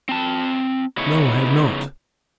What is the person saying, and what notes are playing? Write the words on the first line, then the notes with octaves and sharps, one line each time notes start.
"No, I have not."
C4 A5
C#3 B3 D#4 E4 B4 C#5